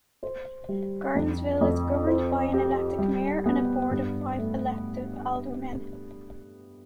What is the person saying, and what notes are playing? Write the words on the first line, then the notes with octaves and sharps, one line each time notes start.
Gordonsville is governed by an elected mayor and a board of five elected aldermen.
C5
G3
F2
F2
C5
G4
G3
B3
G2
A3